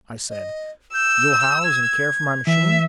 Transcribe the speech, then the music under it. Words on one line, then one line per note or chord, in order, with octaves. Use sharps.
I said, "You'll house and care for my machine?"
D#5
E6 G6
G#6
E3 E5